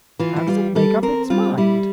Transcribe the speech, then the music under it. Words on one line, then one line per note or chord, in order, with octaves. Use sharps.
"How does it make up its mind?"
E3 F4
E4
G3 F4
G3 A4
C4 A#4
G3 F4
G3 E4